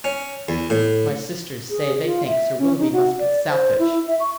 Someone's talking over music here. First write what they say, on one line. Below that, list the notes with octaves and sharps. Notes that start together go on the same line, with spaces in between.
My sisters say they think Sir Willoughby must be selfish.
C#4
E2
A2
G#4
F4
E5
C#4
D#4
F#4
D5
C5
E4
E5
C#6